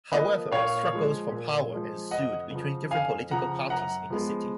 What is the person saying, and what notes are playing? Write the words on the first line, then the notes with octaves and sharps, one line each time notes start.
However, struggles for power ensued between different political parties in the city.
F3 A#3 B4 D#5
A#2 C#5 F5
F3 G#3
A#2
F3 G#3
F2 D#5 F#5
C#3 F3
F2 F5 G#5
C#3 F3 F#5 A#5
F#2 F#5 A#5
F3 G#3 B3